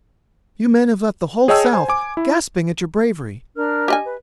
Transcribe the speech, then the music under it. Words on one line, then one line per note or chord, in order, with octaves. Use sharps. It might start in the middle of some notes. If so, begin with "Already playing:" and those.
You men have left the whole South gasping at your bravery.
G#4 C#5 D#5 G5 A5 E6
C5 G#5
G#5 D6
E4
D4 A#4 F6
G4 D#5 G#5
B4